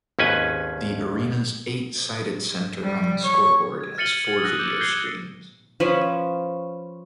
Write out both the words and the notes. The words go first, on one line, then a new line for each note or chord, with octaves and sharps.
The arena's eight-sided center-hung scoreboard has four video screens.
G#1 D#2 C#4 B4 G#5
G3
C#5
G#6
F6 A6 C#7 D#7 F#7 G7
G#6 F#7
D#6 E6 F#6 A#6
D6 G6
G6 G#6 A#6 C7 G7
F3 C#4 B4